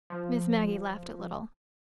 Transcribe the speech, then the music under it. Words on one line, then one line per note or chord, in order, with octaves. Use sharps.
Miss Maggie laughed a little.
F3